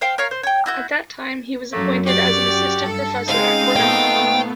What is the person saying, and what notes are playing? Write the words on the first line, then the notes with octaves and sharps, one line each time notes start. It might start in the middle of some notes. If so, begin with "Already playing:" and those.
At that time he was appointed as an assistant professor at Cornell.
C5 F5 G5
A#4 C#5 F5
C5
C#5 G5
E4 F#4 G6
F#2 F#3 A3 A#3
F#4 G4 D5
G2 A4
C#3 G#3 C4 D#4 F5
A#2 A3 B3 G5